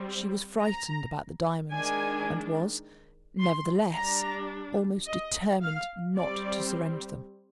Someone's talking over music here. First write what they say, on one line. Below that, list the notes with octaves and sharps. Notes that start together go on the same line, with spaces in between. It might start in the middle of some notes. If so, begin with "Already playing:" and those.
She was frightened about the diamonds, and was, nevertheless, almost determined not to surrender them.
Already playing: G3 C4
A#5
D#3 G#3 D4 G#5
C6
G3 D4 A#5
D#5
F5
G3 C4 D5